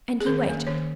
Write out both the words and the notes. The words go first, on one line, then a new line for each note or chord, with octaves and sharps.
And he waited.
G#4
D#3 A#4
A#3 C#4
D#3 C#5